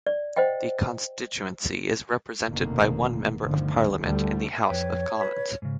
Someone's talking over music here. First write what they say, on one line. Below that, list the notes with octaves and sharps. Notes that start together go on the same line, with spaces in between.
The constituency is represented by one Member of Parliament in the House of Commons.
D5
C5 D#5 F#5 G5
F1 D#2 B2 D3 D#3 A#3
G1 D2 D3 D#3 F3
D2 D3 G3 A3
F2 B4 C#5 G5
B4
G#2 C#3